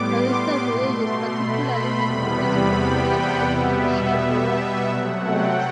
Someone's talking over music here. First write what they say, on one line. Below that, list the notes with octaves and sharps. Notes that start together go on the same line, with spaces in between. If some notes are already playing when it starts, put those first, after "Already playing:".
Kallista Village is particularly known for its proximity to Sherbrooke Forest.
Already playing: A2 G3 B3 C6 D6
B2 A3
B5
E2 C3 G3 B3
G5
F#5
B2 G3 B3 E5
C3 F#3 A3 F#5
G5